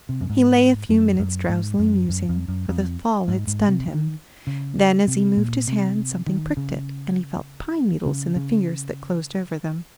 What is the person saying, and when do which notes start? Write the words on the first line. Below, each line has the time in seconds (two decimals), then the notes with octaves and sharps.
He lay a few minutes drowsily musing, for the fall had stunned him; then, as he moved his hand something pricked it, and he felt pine-needles in the fingers that closed over them.
0.09 C3
0.21 F#2
0.30 G#2
0.89 F#2
1.19 F#2
1.49 G#2
1.79 F#2
2.09 F#2
2.29 F2
2.48 F#2
2.69 F2
3.28 G#2
3.47 G#2
3.68 C3
3.88 D#3
4.47 C#3
5.07 C3
5.37 A#2
5.68 C3
6.27 D#3
6.57 C#3
8.06 C#3
8.36 C#3